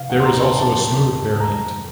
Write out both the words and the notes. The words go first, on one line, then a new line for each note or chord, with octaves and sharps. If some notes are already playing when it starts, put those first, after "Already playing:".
There is also a 'smooth' variant.
Already playing: C3 F5
D#2 D#3 A3 D#4 F#4 F#5
C6
A#5
A5
A5
D#2 D#3 F#3 C4 A5
F2 D#3 A3 D#4 A#5